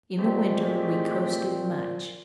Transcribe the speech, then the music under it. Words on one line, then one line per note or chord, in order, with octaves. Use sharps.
In the winter we coasted much.
A#2 G#3 A3 C4 G4